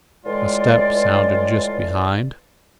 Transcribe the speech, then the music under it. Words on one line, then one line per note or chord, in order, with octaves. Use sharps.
A step sounded just behind.
A2 E3 G#3 F4 D5